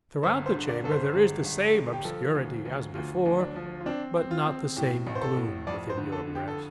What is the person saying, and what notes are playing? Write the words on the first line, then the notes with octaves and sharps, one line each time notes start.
Throughout the chamber there is the same obscurity as before, but not the same gloom within your breast.
G1 C5
C5
D3
D5
G1 A4
C5
G1
G1
G1
G4
F3 A4
D2
D2
D2 F4
D2
D4
F3
F4
C4 D4
C4
F4
C4
A2 G4
A1
C5
A4
A2
F2 D5
C5
D3
A4
D3
G4
A4